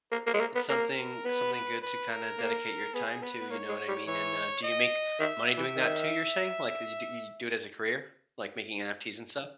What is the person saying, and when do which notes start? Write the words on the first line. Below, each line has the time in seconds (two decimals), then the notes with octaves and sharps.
It's something something good to, kinda, dedicate your time to, you know what I mean, and, uh, do you make money doing that too, you're saying, like, uh, you do you do it as a career, like making NFTs and stuff,
0.12 A#3 A#4
0.27 A#3
0.34 G#3
0.40 A#3
0.55 B3
0.69 A#3 A#4
1.25 B3 B4
1.53 B4
1.82 B4
2.10 A#4
2.38 A#3
2.94 B3 G#4
3.22 B3 B4
3.41 B3
3.50 A#3 C#5
3.69 G#3
3.88 G3
4.07 E3 C#5
4.63 D#5
5.20 D#3 E5
5.57 E3
5.76 D#3